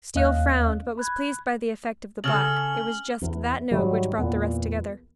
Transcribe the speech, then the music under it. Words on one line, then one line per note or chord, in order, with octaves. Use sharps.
Steele frowned; but was pleased by the effect of the black--it was just THAT note which brought the rest together.
D#2 C#4 D#5 F5 F#6
B5 F#6 G#6
C#3 C#4 A4 F6 F#7
E2
G#2 D#3 F#3 G3
E2 A#2 B3